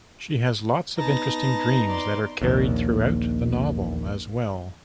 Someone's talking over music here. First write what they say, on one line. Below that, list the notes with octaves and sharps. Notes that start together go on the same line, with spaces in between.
She has lots of interesting dreams that are carried throughout the novel as well.
B3 D#4 A5 A#5 A#6
D5 C6
A#1 D#2